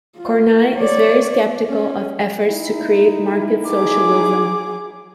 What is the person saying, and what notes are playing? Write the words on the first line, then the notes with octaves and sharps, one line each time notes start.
Kornai is very skeptical of efforts to create market socialism.
F4
C#5 D5
C#4
D#4 E4
G#4 D6